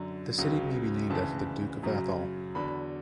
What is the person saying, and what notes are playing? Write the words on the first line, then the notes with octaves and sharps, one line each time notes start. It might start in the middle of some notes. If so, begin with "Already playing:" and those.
The city may be named after the Duke of Atholl.
Already playing: F#2 D3 F#3
C#2 C#3 F#3
D2 C#3 E3 A5
F#2 C#3 F#3
E2 D3 F#3 B5